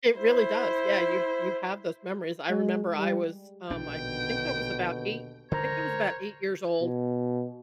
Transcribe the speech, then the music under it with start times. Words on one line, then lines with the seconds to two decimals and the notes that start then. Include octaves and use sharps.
It really does, yeah, you you have those memories. I remember I was, um, I think I was about eight I think I was about eight years old,
0.17 E4 C5
2.50 G#3
2.99 G3
3.70 A#1 D#2 B2 D3 B3 D4 G5
5.52 D3 A#4 C5 C#5 A#5
6.82 B2